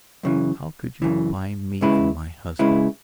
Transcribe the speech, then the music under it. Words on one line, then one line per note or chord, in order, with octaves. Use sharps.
How could you buy me from my husband?
F#2 C#3 E3
F#2 C#3 E3
C#2 C#3 G#3 E4 B4
C#2 C#3 G#3 E4 B4